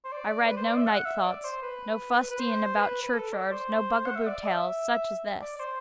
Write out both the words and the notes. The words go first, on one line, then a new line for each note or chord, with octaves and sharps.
I read no "Night Thoughts"--no fustian about churchyards--no bugaboo tales--such as this.
C5
D5
B4
C5
D5
E5
F#5
E5
D5
C5
B4
B4
C5
B4
B4
A4
D5
C5
F#5
E5
D5
E5
D5
D5
C5